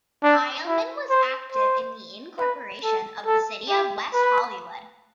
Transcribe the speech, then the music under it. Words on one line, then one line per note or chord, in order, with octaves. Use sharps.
Heilman was active in the incorporation of the City of West Hollywood.
D4
E4
C5
C5
B4
A4
A4
G4
B4